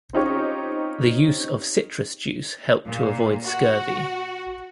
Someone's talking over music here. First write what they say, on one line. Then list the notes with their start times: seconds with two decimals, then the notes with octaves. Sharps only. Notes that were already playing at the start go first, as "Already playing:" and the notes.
The use of citrus juice helped to avoid scurvy.
0.13 C4 C#4 D#4 F4 G4 C#5
2.86 A#2
3.45 F#4